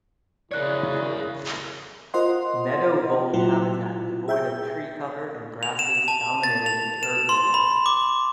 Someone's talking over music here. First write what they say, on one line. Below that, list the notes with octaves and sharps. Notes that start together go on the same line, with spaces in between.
Meadow vole habitat devoid of tree cover and grasses dominated the herb layer.
C#3 E4 A#4 C#5 D5 F#6
F4 A#4 C5 D#5 F#5 C6
A#2 F#3 E4 F4
G#4 E5 G5 G6
F7
E7
A5
A6
F7
E7
C6
B5
D6